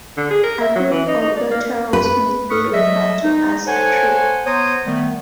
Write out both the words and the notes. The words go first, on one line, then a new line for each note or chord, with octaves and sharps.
A group of dotterels may be referred to as a "trip".
D3
G#4
A#4
E5
F#3
E3
D#4
D#4
D5
A#3
B4
G#2 A4 B4 C#6 D#6 F6
F#3 G3 D#5 E5
D#4
A4 C5 C#5 F#5 G#5
B3 C5 C#5 A#5 C6 D#6
D#3 G3 A3 B3